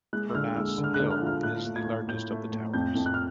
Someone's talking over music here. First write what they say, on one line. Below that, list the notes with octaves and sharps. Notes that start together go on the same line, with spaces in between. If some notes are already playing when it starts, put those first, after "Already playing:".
Furnas Hill is the largest of the towers.
G#3 F#6
E6
D3 F6
G#3 E6
D3
F6
F#6
D3
F6
F3
F6
A2 F#6
A3
G#6
A2
A2 G6
A3
A2
F2 G6
F2
F#6
F6